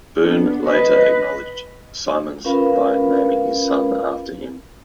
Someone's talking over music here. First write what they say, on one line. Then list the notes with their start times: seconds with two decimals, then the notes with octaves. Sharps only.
Boon later acknowledged Simmons by naming his son after him.
0.20 B3 D4
0.66 B4 D#5
2.45 C#4 F4 A#4 B4 F5 B5